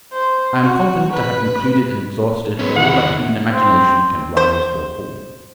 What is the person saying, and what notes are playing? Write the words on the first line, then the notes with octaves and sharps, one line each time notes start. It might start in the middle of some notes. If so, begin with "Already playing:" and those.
I am confident to have included and exhausted all that human imagination can rise or fall to.
C5
F#4
B4
B3 C#4
E2 D#3 E4 F#5
C4
C5